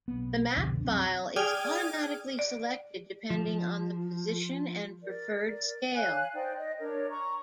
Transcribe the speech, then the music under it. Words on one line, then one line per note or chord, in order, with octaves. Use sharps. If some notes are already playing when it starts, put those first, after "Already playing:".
The map file is automatically selected depending on the position and preferred scale.
B1 B3
C2 F2 B2 D3
F#3 C4
G#4 D5 G5 D#6 F6 G#6
D5
F3
A#4 D5
C#5 F5 G#5 F#6
D#4 C5 D5 G5
D5 D#5
D4 A#4 C#5
A#5 C#6